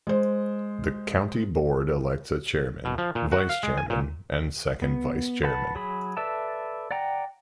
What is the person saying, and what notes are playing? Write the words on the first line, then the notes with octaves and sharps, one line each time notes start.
The County Board elects a chairman, vice-chairman, and second vice-chairman.
G#3 C5
B2
F3
A#2
F#4
F5
G#3
G#5
A#2
B3
B4 F#5 A5 B5
F#3 G#4 B5
A4 B4 D5 E5 A5
D5 F#5 G5 A#5